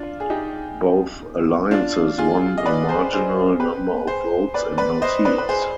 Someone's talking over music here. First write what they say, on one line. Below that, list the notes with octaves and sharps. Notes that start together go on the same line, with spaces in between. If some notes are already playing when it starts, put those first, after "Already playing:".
Both alliances won a marginal number of votes and no seats.
Already playing: D4 F4
G#4
D#4 G4
D4 F4
F4 G#4
D#5
B4 D5
G#4 C5
G#4 C5
G4 B4
G#4 C5
B4 D5
B4 D5
C5 D#5
B4 D5
B4
G#4 C5